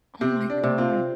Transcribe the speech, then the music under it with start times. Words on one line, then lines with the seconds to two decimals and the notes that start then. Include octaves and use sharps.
Oh my god.
0.21 C3 C4
0.50 D4
0.64 C3
0.78 C4 F4